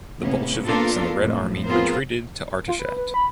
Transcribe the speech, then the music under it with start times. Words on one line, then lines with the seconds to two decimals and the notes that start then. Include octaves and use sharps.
The Bolsheviks and the Red Army retreated to Artashat.
0.21 A2 C3 A#3 B3 C#4
0.65 A#3 B3 D4 F4 A4 A#4
1.18 F2 A2
1.67 B3 C4 F4 G#4 A#4 C5
2.68 F4
2.79 B4
2.97 B4
3.14 B5